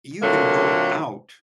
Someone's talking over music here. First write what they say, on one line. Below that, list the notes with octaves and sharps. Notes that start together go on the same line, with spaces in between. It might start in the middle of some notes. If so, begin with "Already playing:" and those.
You can go out
A#2 D3 F#3 A3 A#3 C4